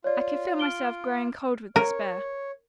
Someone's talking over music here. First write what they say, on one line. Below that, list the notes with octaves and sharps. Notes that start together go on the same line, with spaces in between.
I could feel myself growing cold with despair.
F4 C#5 D5
F6 D7 G7
A#4 C#5